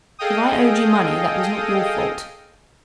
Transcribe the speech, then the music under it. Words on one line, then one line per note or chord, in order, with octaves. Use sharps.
If I owed you money, that was not your fault.
G#4 A4 D#5 F5 G5 D#6